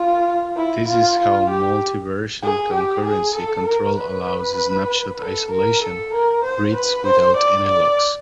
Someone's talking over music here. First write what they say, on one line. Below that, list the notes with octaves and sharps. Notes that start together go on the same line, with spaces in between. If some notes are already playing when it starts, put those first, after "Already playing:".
This is how multiversion concurrency control allows snapshot isolation reads without any locks.
Already playing: F4
E4
F4
F4
G4
G#4
G4
G#4
A4
A#4
B4
A4
A#4
A4
A#4
C5
B4
C5
D5
D5